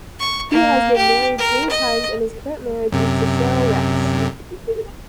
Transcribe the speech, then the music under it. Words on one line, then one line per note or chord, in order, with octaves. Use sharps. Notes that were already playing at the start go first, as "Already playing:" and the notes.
He has been married three times and his current marriage is to Cheryl Resh.
C#6
A#3
G4
A#4
D#5
F#2 C3